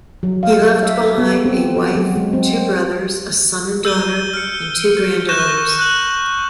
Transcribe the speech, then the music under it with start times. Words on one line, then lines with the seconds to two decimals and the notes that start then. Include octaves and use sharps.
He left behind a wife, two brothers, a son and daughter, and two granddaughters.
0.23 F#3
0.43 F5
0.60 A4
0.83 E5
1.01 A4
1.18 B3
1.45 C4
1.76 F#4
1.95 F#3
2.16 G#3
2.33 C4
3.85 E6 G6 D#7 G7
4.33 F6 C#7
5.29 C#6 F#6 G6 A#6 E7
5.79 F#6 G6 F#7